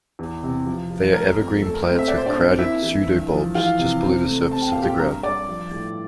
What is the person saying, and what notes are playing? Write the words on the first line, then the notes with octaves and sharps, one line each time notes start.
They are evergreen plants with crowded "pseudobulbs" just below the surface of the ground.
E2
C3
F3
F3
A3 A#4
F2
A3 A4
A#4
A3 C4 C5
E5
A#2 D5
C5
D4 D5
C4
A#3 E4 E5
E3
G2
F3
E3 F4 F5
C3
C4
A3
C4 A5
G5
A#2 F5
G4 G5
G2 A#4 A#5
G2 D5 D6
F3
A2